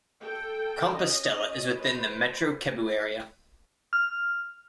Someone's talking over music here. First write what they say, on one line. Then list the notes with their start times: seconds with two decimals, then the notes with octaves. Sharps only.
Compostela is within the Metro Cebu area.
0.21 A4 G5
0.93 C#4 D#5
1.77 B4 C5
3.93 F6